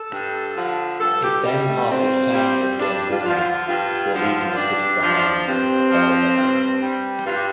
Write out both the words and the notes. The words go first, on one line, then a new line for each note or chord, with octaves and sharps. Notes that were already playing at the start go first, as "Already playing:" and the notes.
It then passes south of Glengormley before leaving the city behind at Ballyvesy.
Already playing: A4
G2
D3 F3
G2 A4
G4
G3
A3
G2 C4
G3
G2 D4
F4
D4
D3 F3 F4
F4
G2 F4
D3 F3
F4
G2 D4
F3
G2 C4
F3
G2
G3
G2 F4
G4